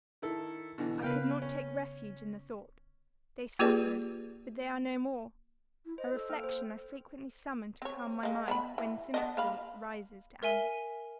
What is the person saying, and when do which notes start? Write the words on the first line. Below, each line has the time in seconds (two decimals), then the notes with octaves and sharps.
I could not take refuge in the thought: they suffered, but they are no more! a reflection I frequently summon to calm my mind when sympathy rises to anguish.
0.22 D#3 E4 A4
0.78 B2 D3 E3
1.02 C#3 B3 A#4 B4 F5 G5
1.42 C#4
3.59 A#3 F4 G4 G#4 B4 D5
5.85 E4
5.98 C5 D#5
6.14 A4
6.30 A#3 G5 F6
6.44 C5
7.82 C4 C#5
8.23 G#3 A#3
8.48 B3 E5 B5
8.78 E3
9.14 B3 D4 D#5
9.37 A#3 F5 B5
10.43 A#4 E5 G#5 G7